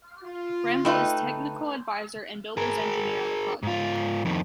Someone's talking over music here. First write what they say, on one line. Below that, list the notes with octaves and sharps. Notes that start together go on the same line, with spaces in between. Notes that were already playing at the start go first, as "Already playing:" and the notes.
Ramboll is technical advisor and builder's enigineer on the project.
F4
A3 D#4 B4 G5
G#4 A#4
G#2 F4
F2 D#3